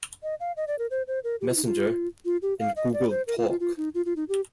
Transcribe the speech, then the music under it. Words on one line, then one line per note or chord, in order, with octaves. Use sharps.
Messenger, and Google Talk.
D#5
F5
D#5
D5
A#4
C5
C5
A#4
G4
F4
D#4
F4
F4
G4
F5
D#5
D5
C5
A#4
F4
F4
F4
D#4
F4
F4
D#4
G4